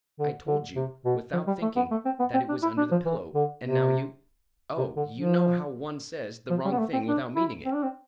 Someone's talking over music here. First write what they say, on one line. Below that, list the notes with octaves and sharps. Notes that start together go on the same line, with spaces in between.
I told you without thinking that it was under the pillow, and now you-- Oh, you know how one says the wrong thing, without meaning it.
D3
D3
C3
B2
F3
G3
A3
B3
A3
C4
B3
C4
D4
E4
D4
F3
E3
D3
C3
C3
D3
F3
F3
G3
B3
A3
C4
D4
E4
C4
D4
C4